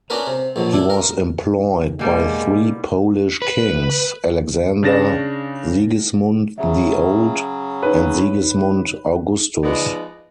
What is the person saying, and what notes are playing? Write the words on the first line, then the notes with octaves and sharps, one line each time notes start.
He was employed by three Polish kings: Alexander, Sigismund the Old and Sigismund Augustus.
B3 C#4 D4 F#4 A#4 B4
C3
A#1 B2 F#3
D4 E4
A#4
B2 G3 G#3 A#3 B3
B4
C#3 D4 A6 A#6 E7
C#3 F#3 G#4 E5
D#4 B4 C#5
F3 G#3 B3 D#4 D5